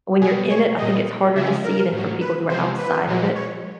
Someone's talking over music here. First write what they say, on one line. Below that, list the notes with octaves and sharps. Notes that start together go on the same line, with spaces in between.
when you're in it, I think it's harder to see than for people who are outside of it,
B2 G3 G#4
C#5
A#2 G3 D#5
C#3 F3 G#3 E5
A#4
A2 F#3
B4
C3 F3 G#3 C5
B4
A#2 F3 G#3
C#5